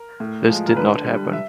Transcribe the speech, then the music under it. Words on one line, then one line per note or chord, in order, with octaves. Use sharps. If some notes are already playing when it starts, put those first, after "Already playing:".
This did not happen.
Already playing: A#4
A2
F3 G#3
A#4
D3 B4
G3
E5